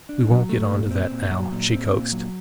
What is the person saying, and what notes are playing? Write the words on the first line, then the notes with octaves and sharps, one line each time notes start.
"We won't get on to that now!" she coaxed.
D4
F#3
A3
A#2
C4
A#2
F#3
A#2
C4
A#2
F#3